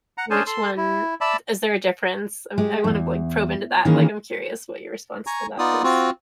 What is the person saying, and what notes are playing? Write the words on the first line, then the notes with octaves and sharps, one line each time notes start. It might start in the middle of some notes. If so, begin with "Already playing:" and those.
Which one is there a difference? I’m g I wanna, like, probe into that; like, I'm curious what your response to that is.
F#5 A#5
C#4 D4 G#4 C5 G#5 A5
A4 C6
E4
D5 E5 A5 B5
G#3 G4
E2 G2
D#3 E3 A#3 C#4 G#4
G#5 A#5 C#6
B3 D#4 F4 D5 D#6
C4 F4 F#4